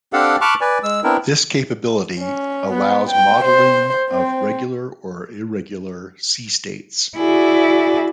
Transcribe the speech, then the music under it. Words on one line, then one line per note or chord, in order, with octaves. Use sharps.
This capability allows modeling of regular or irregular sea states.
C4 D4 G4 A4 F5 F#5
A5 B5 C#6 D6 F6 F#6
B4 D5 G#5
G#3 E6
B3 C4 D4 E4 A#4
C#4
B3
G5
C5
C4
E4 F#4 G#4 D5